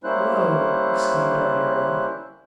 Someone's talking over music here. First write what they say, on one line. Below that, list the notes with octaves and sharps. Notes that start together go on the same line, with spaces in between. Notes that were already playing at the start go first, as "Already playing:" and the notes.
"Hello!" exclaimed our hero.
G3 A#3 C#4 E4 C5 F#6